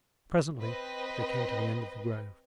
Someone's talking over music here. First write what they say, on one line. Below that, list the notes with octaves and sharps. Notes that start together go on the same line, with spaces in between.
Presently they came to the end of the grove.
C4 B4 D#5